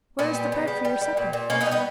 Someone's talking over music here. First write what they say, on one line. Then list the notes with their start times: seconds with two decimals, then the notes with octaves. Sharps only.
"Where is the bread for your supper?"
0.19 A#2 B3
0.35 G3
0.52 C#3
0.68 G3
0.85 G3
1.01 G3
1.17 A#2
1.33 A#2
1.50 B2 A#3 C#4
1.61 B3 D#4
1.66 G3
1.71 B3 D#4